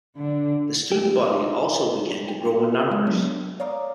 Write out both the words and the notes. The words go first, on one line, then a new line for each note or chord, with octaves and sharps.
The student body also began to grow in numbers.
D3
G4
G5
G#3
F#3 B3 D4
C#5 D5 F5 A#5 D6 D#6